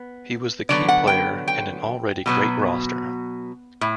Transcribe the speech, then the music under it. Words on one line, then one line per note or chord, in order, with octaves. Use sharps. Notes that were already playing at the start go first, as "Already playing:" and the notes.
He was the key player in an already great roster.
Already playing: B3
D3 F#3 B3 D5
F#5
G5
G5
B2 F#3 B3
A2